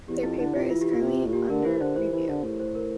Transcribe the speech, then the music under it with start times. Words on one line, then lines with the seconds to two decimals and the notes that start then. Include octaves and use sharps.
Their paper is currently under review.
0.08 E2 G4
0.23 F2 E4
0.39 D3 E4
0.55 C3 F4
0.71 E3 F4
0.81 G4
0.91 A#2 F4
1.02 C3
1.26 A2
1.33 A#2 G4
1.49 D3 A#4
1.65 E3 C5
1.80 D3 C5
1.96 E3 C5
2.12 E3
2.28 D3
2.44 A2
2.60 C5
2.75 A#4